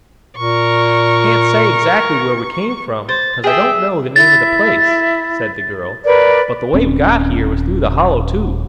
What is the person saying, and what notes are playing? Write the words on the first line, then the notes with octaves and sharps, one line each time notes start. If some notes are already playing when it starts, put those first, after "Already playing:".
"I can't say, exac'ly where we came from, cause I don't know the name of the place," said the girl, "but the way we got here was through the Hollow Tube."
A#2 A#4 C#6
C5 A6
G#4 E5 G5
E4 A6
A#4 B4 D5
D#1 C4 C#4